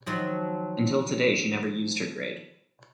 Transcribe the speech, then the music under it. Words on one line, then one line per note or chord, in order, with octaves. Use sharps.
Until today she never used her grade.
D#3 F3 F#3